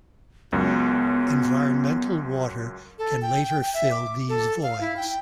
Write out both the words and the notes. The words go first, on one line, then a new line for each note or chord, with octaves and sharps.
Environmental water can later fill these voids.
C#2 F#2 B3
A4
G5
G5
G5
E5
D6
A4
F5
E4
G5